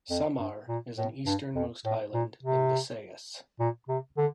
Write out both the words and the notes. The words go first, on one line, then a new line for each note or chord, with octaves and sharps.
Samar is an easternmost island in Visayas.
F2
G2
A#2
A2
G2
F2
A2
A#2
C3
A#2
C3
D3